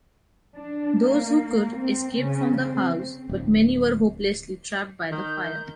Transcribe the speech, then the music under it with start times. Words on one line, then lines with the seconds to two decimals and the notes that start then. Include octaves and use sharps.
Those who could, escaped from the house, but many were hopelessly trapped by the fire.
0.57 D4
1.03 A#3
1.77 C4
2.19 C#3
2.59 C4
3.29 D1
5.12 D#3 G6